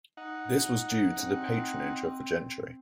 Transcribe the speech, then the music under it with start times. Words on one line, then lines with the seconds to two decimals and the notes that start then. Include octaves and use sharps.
This was due to the patronage of the gentry.
0.17 D#4 F#5
1.20 C4